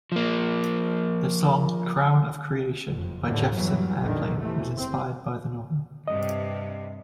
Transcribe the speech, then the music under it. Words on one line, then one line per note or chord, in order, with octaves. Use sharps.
The song "Crown of Creation" by Jefferson Airplane was inspired by the novel.
F3 A#3
F#1 F2
D#2 A2 D3 E3
E2 G2 E3 F#3
A#1 E2 G2 D3 D#3
C3 E3 A3
F#1 C4
G2 C3 D#5